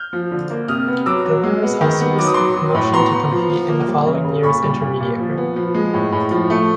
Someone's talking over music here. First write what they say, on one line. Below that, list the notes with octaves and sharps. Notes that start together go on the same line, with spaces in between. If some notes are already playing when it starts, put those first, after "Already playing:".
The winners also receive promotion to compete in the following years intermediate grade.
Already playing: F6 G6
F3
D3
A#3
C3 D#6 F6
B3
F#3 D6 E6
F#3
G#3
B3
D#3
B3
F#3 D6
D#6
F#3 C6 D6
F#3
A2
B3 A#5 C6
B3
F3
F3
A#3
G3
C#3
C#3
A#2 B5 C#6
G3
A#2
A#2
F3
B3
F3
G#3
A2
A2
F3
A3